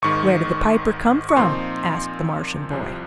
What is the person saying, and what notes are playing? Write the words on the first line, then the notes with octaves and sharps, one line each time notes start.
"Where did the Piper come from?" asked the Martian boy.
G#1 G#2 D#3 C#6
C#6
A#2 F3 C4 D#4 C6
C2 C3 F3